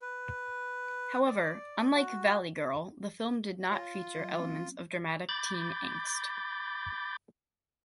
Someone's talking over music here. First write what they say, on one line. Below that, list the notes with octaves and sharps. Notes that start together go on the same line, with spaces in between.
However, unlike "Valley Girl", the film did not feature elements of dramatic teen angst.
B4
D5
F#4
F4 C#5 F5 A#6
F#3 D#5
A#3 C4 C#4
B5 D6 G6 A6